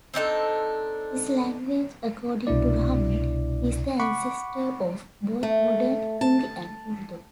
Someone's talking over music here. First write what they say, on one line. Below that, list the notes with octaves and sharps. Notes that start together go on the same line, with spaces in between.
This language, according to Rahman, is the ancestor of both modern Hindi and Urdu.
C4 D4 D#4 A4
C2 B2 D4 E4 D5
F#5 B5 C#6 D6
A3
A5